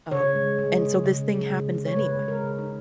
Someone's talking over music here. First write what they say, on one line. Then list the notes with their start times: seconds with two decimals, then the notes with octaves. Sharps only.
um, and so this thing happens anyway.
0.11 C#3 C#5
0.35 G#3
0.59 G#3
0.82 C#3
1.04 C#3
1.28 G#3
1.51 C#3
1.75 G#3
1.86 C#5
1.97 C#3 B4
2.20 G#3
2.28 A#4
2.43 C#3
2.58 D#4